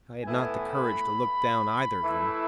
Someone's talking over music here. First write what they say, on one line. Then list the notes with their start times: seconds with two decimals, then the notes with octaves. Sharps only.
I had not the courage to look down either of them.
0.23 A2 E3 B3 E4 G#5
0.69 B5
2.03 E3 A3 E4